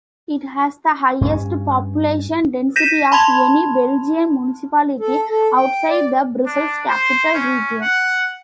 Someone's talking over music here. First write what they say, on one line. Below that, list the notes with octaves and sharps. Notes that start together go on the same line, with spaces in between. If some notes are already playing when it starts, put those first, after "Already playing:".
It has the highest population density of any Belgian municipality outside the Brussels-Capital Region.
G2 C4 C#4
G6 A#6 B6 D#7 E7
A5 B5 C6 G#6 F7
A4
A4
G5
D5
D4
C5
C#4
F#5